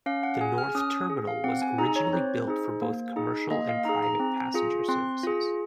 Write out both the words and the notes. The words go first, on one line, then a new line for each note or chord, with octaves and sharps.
The North Terminal was originally built for both commercial and private passenger services.
C#4 F5
F#5
G#4 G#5
F6
C#4 D#6
G#4
F5
C4 F#5
G#5
D#4 G#4 A#5
C#5
C4 C5
D#4 G#4
A#3
D#4 G#4
A#3 D#5
F5
D#4 G#4 A#5
A#5
C4
F4 G#4
C4 C6
F4 G#4